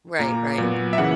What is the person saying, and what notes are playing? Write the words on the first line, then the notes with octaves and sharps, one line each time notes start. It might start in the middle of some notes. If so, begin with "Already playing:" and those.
Right, right.
A#2 A#3 A#5
A#2 F#3 B3
E5
C#3 E3 A#3 F#5